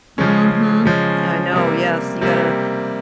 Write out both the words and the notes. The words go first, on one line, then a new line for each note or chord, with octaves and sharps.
Mhm, I know, yes, you gotta
C#3 F3 G#3 C#4
C#3 F3 G#3 C#4
C3 G3 A#3
C3 G3 A#3